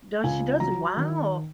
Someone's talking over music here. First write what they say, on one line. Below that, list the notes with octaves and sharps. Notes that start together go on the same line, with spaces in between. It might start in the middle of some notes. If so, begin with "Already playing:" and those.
Does she doesn't? Wow.
C#2 G#5
F#3 A#5
D#3